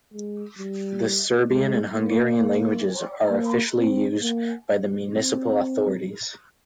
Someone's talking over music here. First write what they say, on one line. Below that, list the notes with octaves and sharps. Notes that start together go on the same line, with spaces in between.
The Serbian and Hungarian languages are officially used by the municipal authorities.
G#3
G3
G#3
A#3
A#3
C4
A#3
C4